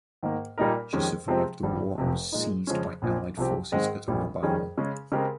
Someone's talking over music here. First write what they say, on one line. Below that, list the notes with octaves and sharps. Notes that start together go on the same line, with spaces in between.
She survived the war and was seized by allied forces at Rabaul.
G#2 D#3 A#3
A#2 G3 A#3 D#4 A#4
F2 D#3 G#3 C#4 G4
C3 F3 G#3 C4
G#1 G2 G3
F1 F2 C3
A#2 G#3 D#4
F2 C#3 F3 G#3 C#4
A#1 A#2 F3
C2 C3 F3 C4 G4
G#2 D#3 G#3 C4
A#1 A#2 G3
F2 D#3 G3 C#4 G#4
C#3 G#3 C#4
C#3 G#3 C4 G4 A#4